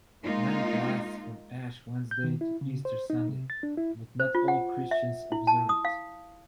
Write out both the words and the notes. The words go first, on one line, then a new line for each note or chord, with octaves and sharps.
Lent lasts from Ash Wednesday to Easter Sunday, but not all Christians observe it.
G#3 A#3 D#4 F4
G6
D#3
E4
C#3
C5
D#4
C3
A6
D4
E4
C5
F4
F#5
E5
E4
A5
D#6
F5